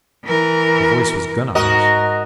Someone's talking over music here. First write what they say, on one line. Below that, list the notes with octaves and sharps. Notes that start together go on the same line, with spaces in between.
The voice was Gunnar's.
E3 A#4
G#2 F#4 A#4 D#5